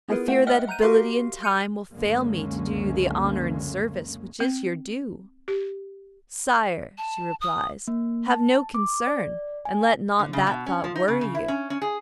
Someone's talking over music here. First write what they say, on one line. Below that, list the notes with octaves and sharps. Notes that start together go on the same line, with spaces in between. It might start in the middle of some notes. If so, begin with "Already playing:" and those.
I fear that ability and time will fail me to do you the honour and service which is your due." "Sire," she replies, "have no concern, and let not that thought worry you!
B3 E4 F4 G#4 A#4 B4
A3 C5 E5 F#5 G5
D#5 E5 F#5 G5 F6 F#6
F#5 A#5 F#6 G6 D#7
F#4 G4 A#4 F5 C6 C7
F6 G6 C#7 D#7 F7
C#2 F#2 D3 G#3 A#3 C#4
C4
G4
A5
D#6
A#3
A5
D6
D5
G#5
D3
C#3
B2
C#4
F3
D#4
C#3
C#3
E4
C#4
C#4
G#4